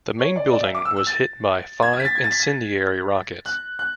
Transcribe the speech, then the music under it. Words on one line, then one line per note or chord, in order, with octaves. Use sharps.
The main building was hit by five incendiary rockets.
C#5
D5
D5
E5
D6
E6
E6
A6
G#6
G#6
B6
A6
G#6
A6
B6
A6
F#6
F#6